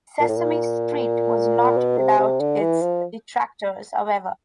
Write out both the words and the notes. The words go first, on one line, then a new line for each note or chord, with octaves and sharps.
"Sesame Street" was not without its detractors, however.
A#2
A2
A#2
B2
C3
C3
D3
E3
F3